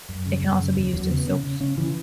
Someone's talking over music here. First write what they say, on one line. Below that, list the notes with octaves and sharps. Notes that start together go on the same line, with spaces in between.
It can also be used in soaps.
F#2
C#3
F#2
C#3
E2
E2 F#3
C#3 B3
C#3 C#4
C#3
C#3 C#4
C#3 E3